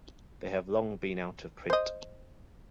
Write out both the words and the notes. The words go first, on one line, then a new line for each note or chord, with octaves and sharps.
They have long been out of print.
C5 D#5